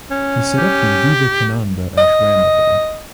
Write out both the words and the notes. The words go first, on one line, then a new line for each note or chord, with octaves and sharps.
He set up the Vivekananda Ashrama there.
C#4
G4
D#5